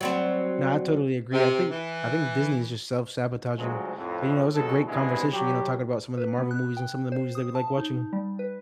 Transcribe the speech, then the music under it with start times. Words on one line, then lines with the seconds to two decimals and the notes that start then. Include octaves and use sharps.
No, I totally agree, I think I think Disney is just self-sabotaging, but, you know, it was a great conversation, you know, talking 'bout some of the Marvel movies and some of the movies that we like watching.
0.01 F#3 G3 C4
1.33 C3
1.70 E3
3.57 D2 C#3 F3 F#3 G#3
3.97 F2 A2
4.55 B1 F2 B2 G#3 G#4 A4
4.87 G2 C3 E3 G#3 B3 E4
5.32 F#3 G3 G4
6.18 B4
6.38 B3
6.51 F#6
6.77 G5
7.12 C5
7.35 D#6
7.55 A5
7.78 D#4
8.13 G3
8.39 B4